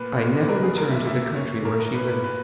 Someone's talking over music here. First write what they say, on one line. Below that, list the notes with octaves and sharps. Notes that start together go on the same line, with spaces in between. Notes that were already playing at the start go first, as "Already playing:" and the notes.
"I never returned to the country where she lived."
Already playing: A#2 B4
A#2
B4
A#2 A#4
G#4
A#2 A#4
E5
A#2 E5
A#2 C#5
A#2 A#4
A#4
A#2 B4
B4
A#2 B4